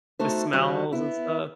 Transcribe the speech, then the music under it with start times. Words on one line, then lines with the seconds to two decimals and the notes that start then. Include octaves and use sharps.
the smells and stuff?
0.19 A3 D#4 F#4 A4 C5
0.53 D#3 G3 C#4 F#4 C5 D#5
0.93 B3 E4